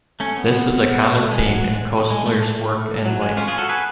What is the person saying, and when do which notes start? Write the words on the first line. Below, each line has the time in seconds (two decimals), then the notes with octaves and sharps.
This is a common theme in Koestler's work and life.
0.20 A3 C#4
0.36 B3
1.15 A3
1.31 G#3
1.46 F#3
1.63 G#3
2.10 G#3
2.26 A3
2.43 A3
3.06 F#3
3.21 G#3
3.37 C#4 F4
3.48 F4 G#4
3.58 F#4 A4
3.69 G#4 B4